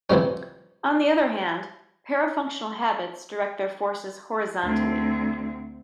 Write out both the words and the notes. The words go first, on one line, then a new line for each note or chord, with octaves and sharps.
On the other hand, parafunctional habits direct their forces horizontally.
C3 E3 F3 G3 C#4
D2 C4